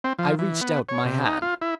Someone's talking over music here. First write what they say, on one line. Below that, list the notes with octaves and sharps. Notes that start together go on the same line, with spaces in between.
I reached out my hand.
C4
F3
E3
B3
C#5
C3
D#4
F4
E4